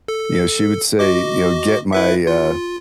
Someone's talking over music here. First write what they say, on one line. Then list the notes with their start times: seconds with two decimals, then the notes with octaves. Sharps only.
you know, she would say, you know, "Get my, uh,
0.08 A4
0.99 F#4 D#5 D6
1.93 E4 B4 E5
2.27 F4